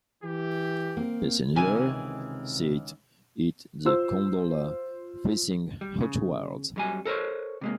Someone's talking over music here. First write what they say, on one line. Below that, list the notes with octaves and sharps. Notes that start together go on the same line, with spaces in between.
Passengers sit in the gondola, facing outward.
E3 G4
A#3 C4
C#2 C3 D#3 E3 G#5
F4 C5 E6
G3
C#3
F#2 G3 G#5
A4 A#4 C5 C#5
C3 G#3 A#3